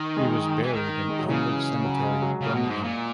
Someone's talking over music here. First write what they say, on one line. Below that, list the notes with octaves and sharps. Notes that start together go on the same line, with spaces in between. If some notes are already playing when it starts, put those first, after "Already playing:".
He was buried in Elmwood Cemetery, Birmingham.
Already playing: D#3
G#3
E3
D#3
G#3
F#3
C#3 E3
F#3
G#3
F#3
C#3
B2
G#2
A#2